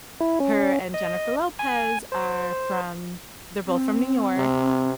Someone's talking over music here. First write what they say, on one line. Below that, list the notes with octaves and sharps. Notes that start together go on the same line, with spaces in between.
her and Jennifer Lopez are from they're both from New York,
E4
C#4
D#5
G#5
C5
C4
C3